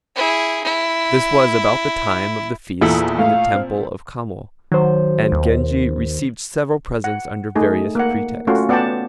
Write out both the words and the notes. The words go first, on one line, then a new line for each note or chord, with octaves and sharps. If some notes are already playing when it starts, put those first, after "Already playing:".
This was about the time of the feast in the Temple of Kamo, and Genji received several presents under various pretexts.
E4 G#4
E4
E2 A#2 E4 A4 D#6 E6
A3 F5
C4
D#3 F#3 C5
D#2
F#5
A3 D#4 G#4
A#3 F#5
A3 C#4 F4 F#4
B3 D5 F#5 G5 A5